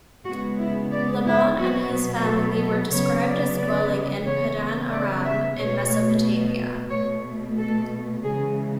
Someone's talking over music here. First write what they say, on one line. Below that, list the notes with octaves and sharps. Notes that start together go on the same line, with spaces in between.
Laban and his family were described as dwelling in Paddan Aram, in Mesopotamia.
C#3 G#3 B3 F#4
E4
D5
E4
B2 F#3 B3 F#4
A4
A4
C#3 F#3 B3 C#5
D5
D5
C#3 E3 B3 C#5
D5
E5
B2 A3 C#5
B2 A3 C#5
A4
C#3 E3 G#3 G#4